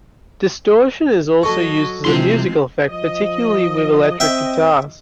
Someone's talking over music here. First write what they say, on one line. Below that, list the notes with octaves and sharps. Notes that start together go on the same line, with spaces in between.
Distortion is also used as a musical effect, particularly with electric guitars.
F#3 A4 D#5 C#6
C3 E3 F3 G#3 C4 C6
F3 D#5
C4 E5 G5